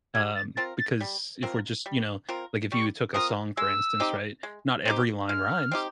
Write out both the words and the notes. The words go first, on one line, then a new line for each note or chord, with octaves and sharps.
Um, because if we're just you know, like, if you took a song, for instance, right? Not every line rhymes.
G3 G#6
A6
C4 F4 A#4 A6
A6
G3
C4 F4 A#4
G3
C4 F4 A#4
G3 C#6
C4 F4 A#4 D#6
G#3 E6
C4 D#4 G4
G#3
C4 D#4 G4
G#3 F6
C4 D#4 G4